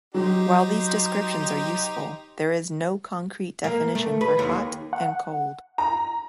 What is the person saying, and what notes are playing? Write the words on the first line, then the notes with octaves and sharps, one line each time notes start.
While these descriptions are useful, there is no concrete definition for "hot" and "cold".
F#3 D#4 G4 C5
A#3
A3
B4
D#2
F#5
A#5